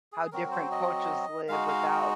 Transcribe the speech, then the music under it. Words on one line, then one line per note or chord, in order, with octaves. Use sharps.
how different cultures live without,
G#4
F#3 C4 F#4 A#4
C5
D#5
G#3 D#4 F#4 F5
F5